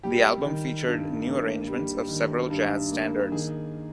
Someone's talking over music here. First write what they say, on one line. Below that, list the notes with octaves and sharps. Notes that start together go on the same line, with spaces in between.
The album featured new arrangements of several jazz standards.
G3 G4
D#3
G2
A#3
G3
D#3
G2
A#3
D#3 G#4